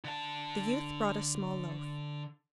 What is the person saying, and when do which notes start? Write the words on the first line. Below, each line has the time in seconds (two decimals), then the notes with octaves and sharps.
The youth brought a small loaf.
0.04 D3 A5